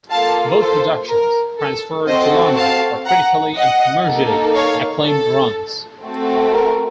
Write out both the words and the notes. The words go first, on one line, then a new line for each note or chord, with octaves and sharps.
Both productions transferred to London for critically and commercially acclaimed runs.
A#3 F4 A4 F5 A5
A4 C5
A#4
A4
C4 F#4 A4 C5 D#5
F5 A5
F#5 A#5
D#5 F#5
A#3 D#4 A4
C#5 F5
A4
A3 C4 F#4 A4
A#4